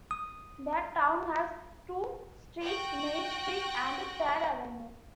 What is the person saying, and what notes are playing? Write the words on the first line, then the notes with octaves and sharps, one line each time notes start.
The town has two streets, Main Street and Third Avenue.
D#6
F#4 G5 F#6 A#6